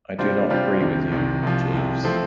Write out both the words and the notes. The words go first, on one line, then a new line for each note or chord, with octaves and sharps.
I do not agree with you, Jeeves.
C3 G3 D4 F4 C5
C3 G3 D4 F4 C5
C2 C3 D#3
C2 C3 D#3
C2 C3 F3
C2 C3 F3
F3 A3 C4